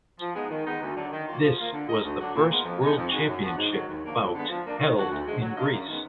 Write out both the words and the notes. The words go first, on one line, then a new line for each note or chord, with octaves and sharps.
This was the first world championship bout held in Greece.
F3
G#3 B3 D#4 G#4
D#3
G#3 B3 D#4
D2
D3 F#3 D4
D#3
F#3 A#3 F4
F3
A#3 F4
D3
G#3 D#4 A#4 D#5
D2
D3 F#3 D4 F#4
A#2
G#3 B3 F4 A#4
F2
D#3 G#3 B3 D#4
F2
D#3 G#3 D#4 F#4
F#2
F3 B3 D4 F#4
G#2
D#3 F#3
D#2
D3 F3 A#3
F2
D3 G#3 B3
F3
A#3 D4
D#3
F#3 D4 F#4
D2
D3 F3 G#3
F#3
D4 F4 A#4 D#5
F#2
D#3 G#3 B3